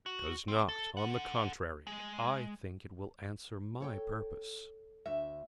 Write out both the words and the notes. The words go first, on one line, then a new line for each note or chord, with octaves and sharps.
"It does not; on the contrary, I think it will answer my purpose."
F#4
C4
A4
A4 F#5
G#3
A4 C#5 G5
D2 E5